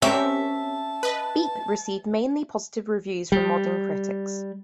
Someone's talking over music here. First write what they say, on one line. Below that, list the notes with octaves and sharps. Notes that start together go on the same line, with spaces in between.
"Beep" received mainly positive reviews from modern critics.
C4 C#4 G4 A#4 E5 A5
B4 D#5
G3